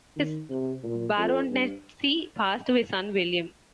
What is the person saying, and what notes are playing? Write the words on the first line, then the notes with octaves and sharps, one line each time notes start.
His baronetcy passed to his son William.
D#3
C3
A#2
F2
G2